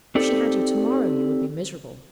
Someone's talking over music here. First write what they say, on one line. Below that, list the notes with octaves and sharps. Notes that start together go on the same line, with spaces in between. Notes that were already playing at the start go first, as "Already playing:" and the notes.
If she had you to-morrow, you would be miserable.
C4 D#4 G4 A4 D5